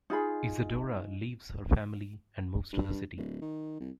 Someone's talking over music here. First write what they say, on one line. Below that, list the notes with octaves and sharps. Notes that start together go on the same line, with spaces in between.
Isadora leaves her family and moves to the city.
D#4 F4 G#4 B5
G2
D1
D#3
C2